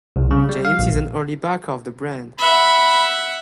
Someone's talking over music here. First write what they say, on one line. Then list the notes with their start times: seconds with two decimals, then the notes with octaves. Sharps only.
James is an early backer of the brand.
0.16 C2
0.31 C#3
0.49 G3
0.65 F5
0.79 A#1
2.39 E5 F#5 B5